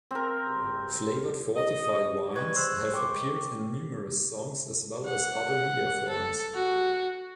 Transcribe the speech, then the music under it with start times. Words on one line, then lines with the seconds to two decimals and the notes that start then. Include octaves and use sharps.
Flavored fortified wines have appeared in numerous songs as well as other media forms.
0.11 C4 A#4
1.56 D#5
2.36 G3 G#3 B4 C#6 G#6
2.56 G#3 C5 C6 E6 F#6
2.94 G5 C#6 D6
5.06 F#5
6.09 A4
6.54 F#4